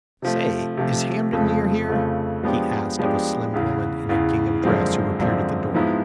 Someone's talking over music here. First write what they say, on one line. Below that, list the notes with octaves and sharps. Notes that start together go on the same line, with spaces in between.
'Say, is Hamden near here?' he asked of a slim woman in a gingham dress who appeared at the door.
C3 F3 A3
C3 F3 A3
F2 C#3 F3 A3
F2 C#3 F3 A3
F3 G#3 B3 D4 G4
F3 G#3 B3 D4 G4
E2 C#3 E3
E2 C#3 E3
F#2 D3 F3 G#3 C4
F#2 D3 F3 G#3 C4
G#2 F3 G#3 B3 E4